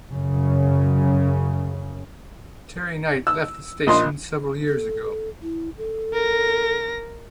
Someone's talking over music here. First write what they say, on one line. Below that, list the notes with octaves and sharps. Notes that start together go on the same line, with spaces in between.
Terry Knight left the station several years ago.
F#2 C#3
E6
A#1 D#5 C6
A4
E4
A4
A#4 A#6